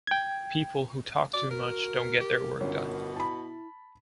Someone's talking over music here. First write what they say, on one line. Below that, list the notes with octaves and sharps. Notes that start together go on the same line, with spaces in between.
People who talk too much don’t get their work done.
G5 G#6
F#4 D5
F#4 A#4
G4 A#4
G1 B2 C#4
E4 A5 B5